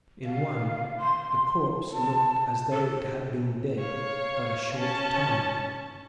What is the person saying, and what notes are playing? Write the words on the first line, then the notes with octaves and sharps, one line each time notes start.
In one the corpse looked as though it had been dead but a short time.
F5
C6
A5
A4
C#5 F5
C#4 A5